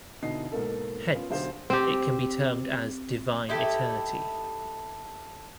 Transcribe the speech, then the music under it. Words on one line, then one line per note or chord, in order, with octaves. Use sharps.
Hence, it can be termed as Divine Eternity.
B2 D3 E3 D#4 D#5 C7
G#2 B2 A#3 A4
B3 C#4 F4
B1 D3 C5 F5 C6
C4 G4
D#4 E4 G4 A4